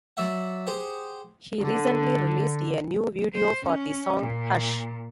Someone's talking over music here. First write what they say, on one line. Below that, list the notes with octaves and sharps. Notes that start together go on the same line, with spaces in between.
He recently released a new video for the song "Hush".
F#3 D5 E5 F#5
G4 G#4 C5 F#5
D3
C5
C#4
A#2